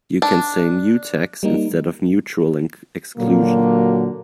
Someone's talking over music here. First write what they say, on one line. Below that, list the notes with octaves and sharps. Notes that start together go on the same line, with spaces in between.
You can say mutex instead of mutual exclusion.
D4
G3 A#3 D#4
A#2 D3 F#3 A#3